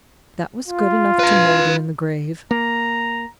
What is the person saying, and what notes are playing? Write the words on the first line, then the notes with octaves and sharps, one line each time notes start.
That was good enough to moulder in the grave.
F4
B4 F5
A#3 A#5